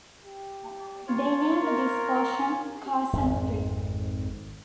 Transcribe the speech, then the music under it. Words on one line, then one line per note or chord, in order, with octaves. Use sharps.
They named this portion Carson Creek.
G4
F4 C#5
A#4
G#1 F2 G#2